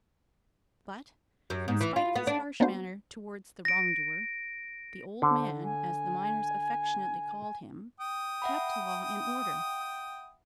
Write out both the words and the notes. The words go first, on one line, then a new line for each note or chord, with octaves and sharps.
But, in spite of his harsh manner towards the wrong-doer, 'the old man,' as the miners affectionately called him, kept law and order.
F#2
G#2
E3
F4
B3
D4
A#3 B3 D4 F#4 C5
A#6 D7
D3 C5
G#5
G5 D#6
E5 F#5 B5